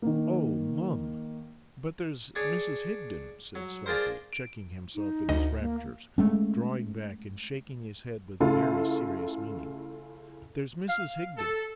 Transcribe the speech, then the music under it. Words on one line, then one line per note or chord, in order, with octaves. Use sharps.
'Oh, mum!--But there's Mrs Higden,' said Sloppy, checking himself in his raptures, drawing back, and shaking his head with very serious meaning. 'There's Mrs Higden.
D#3 A#3
D4 G#4 C#5
F#3
D4 F4 G#4 A#4 C5
D7
D#4
D2 D#5
A#3
G#3 A3 C#4
C#3 A3 C#4 E4 F4 A4
F5
A4